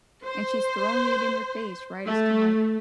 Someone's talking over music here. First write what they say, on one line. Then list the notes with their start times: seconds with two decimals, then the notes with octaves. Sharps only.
and she's throwing it in your face, right, it's kinda like,
0.25 C5
2.06 A3